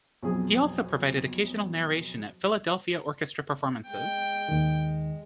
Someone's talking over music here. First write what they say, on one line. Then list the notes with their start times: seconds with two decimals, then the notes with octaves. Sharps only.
He also provided occasional narration at Philadelphia Orchestra performances.
0.22 B1 F2 G#4
3.87 G#3 G5
4.49 D#2 D#3